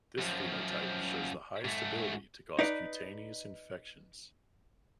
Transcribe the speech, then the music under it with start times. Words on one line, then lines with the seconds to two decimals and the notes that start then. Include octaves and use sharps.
This phenotype shows the highest ability to cause cutaneous infections.
0.19 F#2 F3
1.65 G#2 A3
2.59 D#4 B4 D5